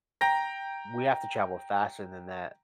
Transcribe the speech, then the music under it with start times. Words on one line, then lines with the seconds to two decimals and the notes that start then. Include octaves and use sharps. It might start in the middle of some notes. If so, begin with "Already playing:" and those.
We have to travel faster than that.
0.21 G5 A#5 A#6